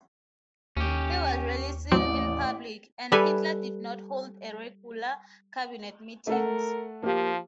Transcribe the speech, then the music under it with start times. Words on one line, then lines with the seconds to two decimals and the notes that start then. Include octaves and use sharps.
He was rarely seen in public, and Hitler did not hold regular cabinet meetings.
0.77 D#2 C#4 G4
1.92 A1 F#3 C4 D5
3.12 G3 A4 B4 E5 G#5
6.27 A3 A4 A#4 F#5
7.03 F3 A#3 G4